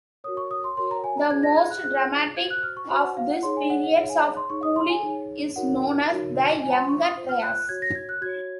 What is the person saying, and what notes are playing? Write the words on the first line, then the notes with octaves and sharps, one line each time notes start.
The most dramatic of these periods of cooling is known as the Younger Dryas.
F#4 A#4 C#5 D#6
C#6
D#6
C6
F#4 A#4 C#5 C6
A#5
G#5
A#5
F4 G#4 C5 G#6
A#6
G#6
F#6
F4 G#4 C5 F#6
F#4 C5 G#6
F#6
F6
C#6
F#4 C5 C6
F#5
F5
F#5
D#4 G#4 C#5 C6
G#5
F#5
F#5
D#4 G#4 C#5 F#5
G#5
C6
D#4 G#4 C#5 C#6
D#6
C6
G#5
D#4 G#4 C#5
D#4 F#4 A#4 C#5 F#5
D#4 F#4 A#4 C#5
F4 C5 G#5 A#5
C6
C#6
D#6
F4 C5
F6
F#6
F#6
F#4 C#5 G#6
A#6
G#6
F#6
F#4 C#5 G#6